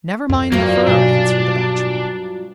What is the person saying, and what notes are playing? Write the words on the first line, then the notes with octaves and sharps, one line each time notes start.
"Never mind the fur," answered the Bachelor.
F2
G2 F3 F#3 A#3
B1 D4